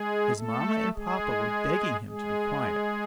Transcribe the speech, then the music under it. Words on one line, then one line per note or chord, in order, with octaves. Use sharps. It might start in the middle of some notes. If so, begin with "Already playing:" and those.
His mamma and papa were begging him to be quiet.
Already playing: G#3 G#4
A3 A4
G#3 G#4
G#3 G#4